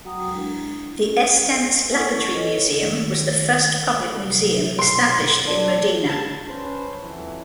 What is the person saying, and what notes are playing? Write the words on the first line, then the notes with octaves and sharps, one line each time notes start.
The Estense Lapidary Museum was the first public museum established in Modena.
F#3 F#4 F#5 G5 A#5 D#6
G#3 D4 E4
C#4
E4 A4 C#5 F#5 G#5 C#6
C#4 E4 C#6
D#4 A4 B4 C#5 D#5
D#3 A3
C3 F#3
B2 A#3 E4 C6 C7
D4
A5
C#4 B4 C5
F2 E3 F#3